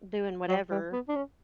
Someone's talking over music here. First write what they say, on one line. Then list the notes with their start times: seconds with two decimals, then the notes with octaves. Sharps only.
doing whatever,
0.48 F#3
0.71 G3
0.93 B3
1.09 D4
1.16 C#4